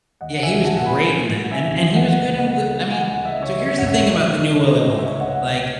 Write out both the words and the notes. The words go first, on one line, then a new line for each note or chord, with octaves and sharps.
yeah, he was great in that, and and he was good in the I mean, so here's the thing about the new Willy Wonka, like,
D#2 D#5 F#5
E5 G#5
D#2
F#5 A5
F#3
G#5 B5
F#3
F#3
E5 G#5
D#2
E3 D#5 F#5
C#2
D#5 F#5
C#3
E3 F#5
G#5
D#5 F#5
C#2
E5
D#5
C#3 C#5 E5
C#2 E5
F#5
C#5 E5
E3 C#5
D#5
E3
C#5
C#2 D#5
D#5
C#2
C#5 E5
C#2
D#5 F#5
B2